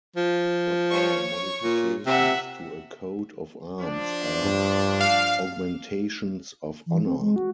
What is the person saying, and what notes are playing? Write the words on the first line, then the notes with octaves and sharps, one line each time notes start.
Not all modifications to a coat of arms are augmentations of honour.
F3
C#5 C#6
A#2
C3 E5 F#5
F3 D4
G2
F5
E3
C4
G#3
F#4